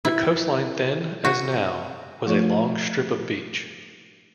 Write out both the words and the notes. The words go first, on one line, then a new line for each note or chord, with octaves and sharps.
The coastline then, as now, was a long strip of beach.
E4
F#4
F3 A3 F4 C#5 C#6